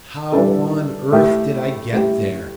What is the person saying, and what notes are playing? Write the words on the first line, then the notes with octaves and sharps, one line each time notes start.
How on earth did I get there?
E3 G3 D4 A4
A3 E4 G4
A3 E4 G4